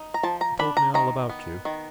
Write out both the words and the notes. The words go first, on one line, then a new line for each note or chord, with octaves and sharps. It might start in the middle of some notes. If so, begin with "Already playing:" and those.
He told me all about you....
Already playing: D#4
A#5
F3 A5
A#5
D4 B5
A#5
D#3 A#5
B3
D#3